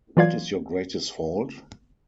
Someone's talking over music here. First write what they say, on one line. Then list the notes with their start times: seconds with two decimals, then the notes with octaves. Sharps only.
What is your greatest fault?
0.17 E3 F#3 F4 D5 F5 G#6